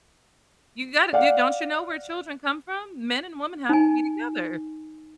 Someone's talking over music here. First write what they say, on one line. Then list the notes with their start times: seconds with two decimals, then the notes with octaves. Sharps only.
You gotta do don't you know where children come from? Men and women have to be together.
1.13 D5 F5 F#5
3.69 D#4 G#5